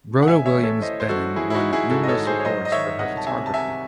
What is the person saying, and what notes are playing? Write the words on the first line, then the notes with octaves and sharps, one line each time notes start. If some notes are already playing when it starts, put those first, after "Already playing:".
Rhoda Williams Benham won numerous awards for her photography.
F#5
A1 E5 G#5
C#5 E5
A1
A4 C#5
E3 C5 D#5
C5
E3 F#4 A4
E3 E4 G#4
E4
D#4 F#4
E3
E4 G#4
G#2 F#4 A4
D#5
A4 C#5
G#2
G#4 C5
C#5
F#3 C5 D#5
D#5
D#3 C#5 E5
C2 D#5 F#5
A5
C3 E5 G#5
A5
C3 E5 G#5